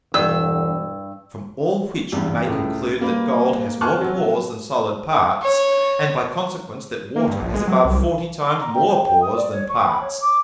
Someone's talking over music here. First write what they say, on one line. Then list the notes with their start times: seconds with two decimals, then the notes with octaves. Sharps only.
From all which we may conclude, that Gold has more Pores than solid parts, and by consequence that Water has above forty times more Pores than Parts.
0.14 E1 G2 E6
2.12 E2 G2 C3
2.47 C#2 A2
2.99 G3 A#3 B4
3.81 G#5 A5 C6 C#6 F6 F#6
3.98 C3 F#3
5.42 C#5
7.16 A#3
7.28 G2
7.41 A#1
7.54 G#3
7.67 F#3
7.85 C2
8.47 C6
8.60 A#5
8.74 G5
8.86 G5
9.04 G5
9.22 D#6
9.36 D5
9.52 C#5
9.69 C#6
9.87 B5
10.00 C#5
10.21 D6